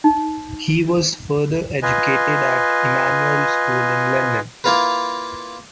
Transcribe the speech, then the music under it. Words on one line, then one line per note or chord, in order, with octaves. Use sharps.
He was further educated at Emanuel School in London.
D#4
F4 B4 D#5 G#5
A#3 E4 F4 A#4 B4